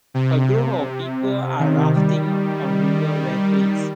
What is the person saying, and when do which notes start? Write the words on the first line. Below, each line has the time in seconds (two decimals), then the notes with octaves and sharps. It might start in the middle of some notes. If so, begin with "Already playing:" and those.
A group of people are rafting on river rapids.
0.14 C3
1.59 C3 D#3
1.95 D#3 G3